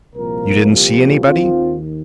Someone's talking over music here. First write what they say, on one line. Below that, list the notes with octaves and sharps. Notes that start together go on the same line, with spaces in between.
"You didn't see anybody?"
C2 A#2 F3 A#4
G4
D#2 D#3 C4 F4